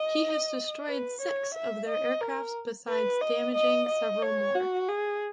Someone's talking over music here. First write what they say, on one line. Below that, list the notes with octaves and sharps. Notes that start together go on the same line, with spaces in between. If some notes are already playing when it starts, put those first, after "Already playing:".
He has destroyed six of their aircraft besides damaging several more.
Already playing: D#5
B4
C#5
E5
D#5
A#4
B4
D#5
D#5
D#5
C#5
F#4
G#4